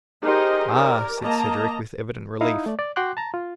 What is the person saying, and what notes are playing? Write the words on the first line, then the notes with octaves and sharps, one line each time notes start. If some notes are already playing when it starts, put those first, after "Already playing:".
"Ah!" said Cedric, with evident relief.
D#4 G4 G#4 A#4 C5 D#5
A#4 D5
A#3 D#5 A5 A#5
D#4 E4 F5 D#6
A3 D5
D5
F#4 F#5 G5 C6 D6 F#6
A5 A#5
F4